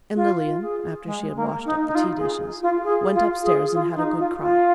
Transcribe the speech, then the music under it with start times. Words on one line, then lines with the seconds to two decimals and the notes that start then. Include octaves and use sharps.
And Lilian, after she had washed up the tea dishes, went upstairs and had a good cry.
0.16 F4
0.61 G#4
1.06 G#3
1.35 A#3
1.65 D#4
1.85 D#4
1.95 F4
2.18 G#4
2.62 F4
2.84 G#4
3.14 F4
3.44 G#4
3.74 F4
3.96 D#4
4.18 F4
4.41 F4